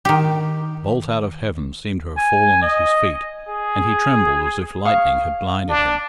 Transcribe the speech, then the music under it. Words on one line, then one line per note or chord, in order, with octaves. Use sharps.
A bolt out of heaven seemed to have fallen at his feet, and he trembled as if lightning had blinded him.
D#3 G4
G#5
D#5
G#4
F5 C#6 D#6
D4